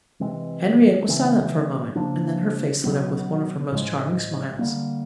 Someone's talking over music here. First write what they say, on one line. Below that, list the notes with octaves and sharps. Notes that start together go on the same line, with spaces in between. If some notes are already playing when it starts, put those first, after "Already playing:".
Henriette was silent for a moment, and then her face lit up with one of her most charming smiles.
C3 E3 G#3 C4
C#3 E3 A3 C4
C#3 F3 A#3 D4
B2 F#3 B3
A2 F3 G#3
D3 G3 A#3